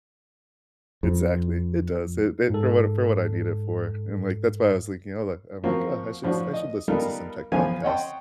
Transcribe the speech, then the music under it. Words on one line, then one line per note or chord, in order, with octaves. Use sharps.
exactly. It does, it it for what for what I need it for, and, like, that's why I was thinking, "Oh, like" I'm like, "Oh, I should I should listen to some tech podcasts."
F2
G#2 A4
F3 A#3 C4 F4 F#4
A2 F3 D4 F#4
D#5
G3 B3 D#4 F4 A4 A#4
B1 E3 F3 B3 F5 G#5
C#5 D#5 F#5 G5 A5 C6